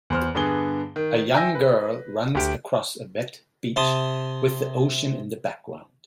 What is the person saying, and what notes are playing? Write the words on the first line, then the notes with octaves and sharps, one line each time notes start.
A young girl runs across a wet beach with the ocean in the background.
E2 C5 F6
G2 D3 B3 G#4 G7
D#3
E5 G5 G#5 E6 A#6
B4
D2 G4 D7
C3 A5 C6 D#6